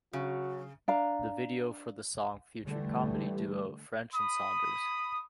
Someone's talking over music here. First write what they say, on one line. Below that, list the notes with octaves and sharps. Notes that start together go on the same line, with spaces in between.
The video for the song featured comedy duo French and Saunders.
C#3 F#3 F#4
D4 F5 A#5
D3 E3 G3 A3
B5 D#6